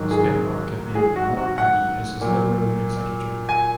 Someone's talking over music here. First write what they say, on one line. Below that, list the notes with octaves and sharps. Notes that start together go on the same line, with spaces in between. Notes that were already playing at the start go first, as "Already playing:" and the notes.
Stenbock had named More Adey as his literary executor.
Already playing: G#2 D#3 F#3
G#4
G#4
F#4
F#4
F#5
A#2
F#3
G#5